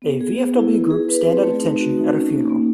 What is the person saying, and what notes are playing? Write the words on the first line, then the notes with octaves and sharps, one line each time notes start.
A VFW group stand at attention at a funeral.
B3
G#4
B3
E4
B4
G#4
B4
C4
A3
D#4
F#4
D#4
C#4
A#3
A#3